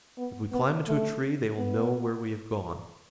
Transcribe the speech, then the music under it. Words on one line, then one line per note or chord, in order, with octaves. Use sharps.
If we climb into a tree they will know where we have gone.
B3
B3
A3
B3